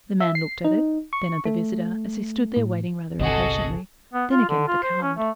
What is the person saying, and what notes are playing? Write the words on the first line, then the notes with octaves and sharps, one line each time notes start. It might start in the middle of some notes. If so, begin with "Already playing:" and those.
The man looked at it, then at the visitor, as he stood there waiting rather impatiently, then again at the card.
E5
C7
D#4
C#6
A3
A2
G1 C2 C3 F#4 G#4 A4 D#5
B3
F4
D3
F4
C5
C#4
A3